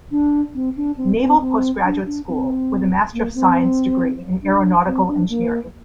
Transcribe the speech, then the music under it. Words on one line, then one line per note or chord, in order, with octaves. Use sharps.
Naval Postgraduate School with a Master of Science degree in Aeronautical Engineering.
D4
C4
D4
C4
C4
C4
D4
D4
C4
A#3
C4
D4
C4
D4
A#3